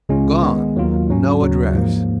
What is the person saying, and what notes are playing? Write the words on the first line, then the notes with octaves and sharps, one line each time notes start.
Gone--no address.
C#2 C#3 G#3 C#4 F4
D#3 G#3 B3
D#2 D#3 F#3 A#3 F4
G#2 F#3 C#4
D#2 C#3 F#3
G#2 F3 A#3